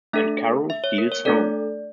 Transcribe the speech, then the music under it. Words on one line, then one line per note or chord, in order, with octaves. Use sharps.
"And Carew steals home".
A3 D4 A4 E5
E5
C#5
A#4
C#5
A3 D4 A4 D5